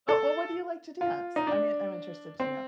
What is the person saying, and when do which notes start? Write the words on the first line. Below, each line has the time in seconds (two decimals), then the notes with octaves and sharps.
Oh, wha what do you like to dance? I mean, I'm interested to know.
0.09 A4
1.01 F4
1.36 D#4
1.47 D4
2.40 C4